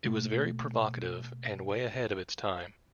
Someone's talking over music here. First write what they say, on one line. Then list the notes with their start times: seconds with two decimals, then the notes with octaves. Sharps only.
It was very provocative and way ahead of its time.
0.05 B2 A3 A#3